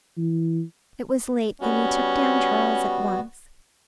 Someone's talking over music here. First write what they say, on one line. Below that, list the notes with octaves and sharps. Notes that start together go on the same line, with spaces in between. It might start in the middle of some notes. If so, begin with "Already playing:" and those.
It was late, and he took down Charles at once.
E3
G3 B3 C#4 F#4